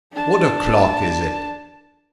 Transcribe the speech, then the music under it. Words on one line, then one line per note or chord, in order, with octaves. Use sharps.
"What o'clock is it?"
D4 A5